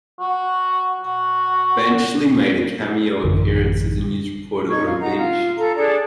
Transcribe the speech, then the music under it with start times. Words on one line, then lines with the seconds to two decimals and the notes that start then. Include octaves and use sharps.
Benchley made a cameo appearance as a news reporter on the beach.
0.20 F#4
1.00 F#4
3.24 A1 F#2 D3 E3
4.69 D#4 C#6 G#6
4.84 F4
5.01 D#4 F#5 A#5
5.17 F4
5.57 F4 A4 A#5
5.76 D4 G#4 A4 D5